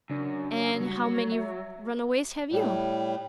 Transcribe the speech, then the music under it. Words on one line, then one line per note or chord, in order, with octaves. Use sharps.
"And how many runaways have you?"
F#2 C#3 D4
F#3 G3
E5
A2 G3